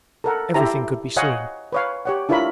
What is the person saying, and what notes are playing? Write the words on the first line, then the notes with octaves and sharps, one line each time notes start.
Everything could be seen.
A4 A#4 F#5
E4 G4 C5 E5 A5 A#5
C5 C#5 D#5 F5 F#5 G#5
B4 C#5 F5
G4 C#5 F#5
D4 E4 F4 A#4 C#5 B5